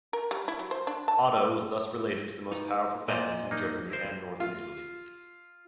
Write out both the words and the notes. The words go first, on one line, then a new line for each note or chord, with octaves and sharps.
Otto was thus related to the most powerful families in Germany and northern Italy.
A#4
G3
E4
F#3
C5
D4
A5
D#4 B4
A#2 C5 D5 D#5
A#3 D#4
E4 A#4 C5
F4